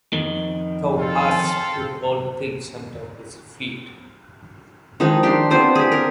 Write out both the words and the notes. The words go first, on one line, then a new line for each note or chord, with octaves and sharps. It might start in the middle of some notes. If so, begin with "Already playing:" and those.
Thou hast put all things under his feet.
F2 D#3
C4 F4 A4
D#3 F3 G#3 D#4
D4 G4 C6
B3 C4 F4 C5
G4 G#4
A#4